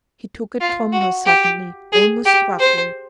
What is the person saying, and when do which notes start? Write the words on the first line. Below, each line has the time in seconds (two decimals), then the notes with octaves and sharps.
He took it from her suddenly, almost roughly.
0.61 F4
0.93 F#4
1.26 G4
1.93 G#4
2.26 G4
2.59 C5